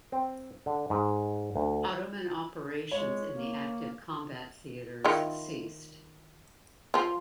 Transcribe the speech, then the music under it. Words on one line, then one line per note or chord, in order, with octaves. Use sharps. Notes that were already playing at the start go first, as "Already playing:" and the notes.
Ottoman operations in the active combat theatres ceased.
C4
D3
G#2
D2
G#3 C#5
A#3
D#3 E4 F4
F3 F4